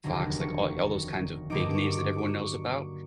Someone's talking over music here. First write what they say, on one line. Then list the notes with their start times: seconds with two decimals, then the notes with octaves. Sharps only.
Fox, like, all all those kinds of big names that everyone knows about,
0.04 F1 D#2 D3 F#3
0.41 C#6
1.50 G2 D3 F#3 A#3 D#4 D6
1.70 C#6 D6
1.91 D6
1.99 C#6
2.18 C#6 D6